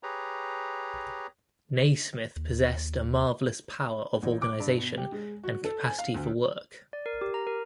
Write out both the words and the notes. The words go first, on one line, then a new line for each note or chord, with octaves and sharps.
Nasmith possessed a marvelous power of organization and capacity for work.
G4 G#4 B4 C#5 A#5
D#2
A1
D6
G2
B2
G4
G#3
F#4
A4
G#5
F5
D2
D5
A#4
G4
A#5
A#4